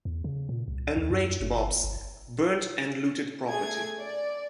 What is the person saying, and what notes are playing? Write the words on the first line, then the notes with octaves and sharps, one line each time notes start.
Enraged mobs burnt and looted property.
E2
C#3
A#2
C2
D#2
F#2
G1
G1
A3 G#4 G#6
D5